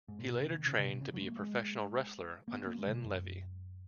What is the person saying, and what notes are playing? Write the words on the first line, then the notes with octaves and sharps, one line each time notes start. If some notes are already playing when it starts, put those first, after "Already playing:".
He later trained to be a professional wrestler under Len Levy.
G#2
A#2
B2
C#3
D#3
C#3
C#3
B2
C#3
F#3
G#3
A#3
G#3
A#3
B3
A#3
G#3
C#3
B2
F#2